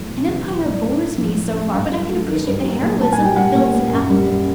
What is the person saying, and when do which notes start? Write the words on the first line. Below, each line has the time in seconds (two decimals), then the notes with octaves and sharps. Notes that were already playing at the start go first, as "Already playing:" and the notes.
An Empire bores me, so far, but I can appreciate the heroism that builds it up.
Already playing: E2 F#3 A3
0.09 B2
0.27 E2
0.45 F#3
0.63 A2 D5
0.82 A3
1.00 A2
1.18 F3
1.36 A2
1.54 A3
1.73 G2 F5
1.91 F#3
2.09 A3
2.27 D#3
2.46 G2
2.64 F#3
2.82 A#2
3.00 A#2 A5
3.13 G#5
3.18 G3
3.25 G5
3.36 G3 F#5
3.55 A#2
3.73 A#2
3.91 F#2
4.09 G3
4.28 F#2